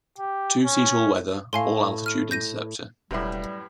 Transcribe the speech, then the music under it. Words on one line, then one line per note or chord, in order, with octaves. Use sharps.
Two-seat all weather, all altitude interceptor.
G4
C#4
A2 F5 G#5 C6
F6 D#7
G6 A#6 D#7
E1 F#2 A2 G3 G4 B4 E5